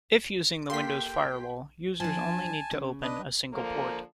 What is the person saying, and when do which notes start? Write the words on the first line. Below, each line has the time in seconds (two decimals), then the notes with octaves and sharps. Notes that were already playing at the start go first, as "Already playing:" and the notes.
If using the Windows firewall, users only need to open a single port.
0.70 A#3 G4 A4 A#4 F5 G5 C6 B6
2.00 F3 D4 G#5 A5
2.71 C#3
3.02 D4 B4 D#5
3.53 D3 F3 A#3